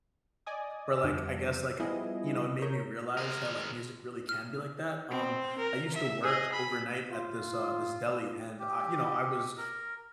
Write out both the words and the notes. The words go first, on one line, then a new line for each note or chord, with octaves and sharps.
where, like, I guess, like, uh, you know, it made me realize that, like, music really can be like that. Um, I used to work overnight at this, uh, this deli, and I you know, I was
D5 D#5 G#5 D#6
F2 D3 F3 G3 D4
F3 G3 B3 E4 G#4 D#5
A#4 C#5 G6
G#3 A#4
F6
C4
A#4
E5
G#4 D#5
B5
F4
G4
A#4